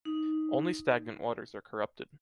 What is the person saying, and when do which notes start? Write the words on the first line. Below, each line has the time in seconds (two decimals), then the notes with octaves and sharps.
Only stagnant waters are corrupted.
0.05 D#4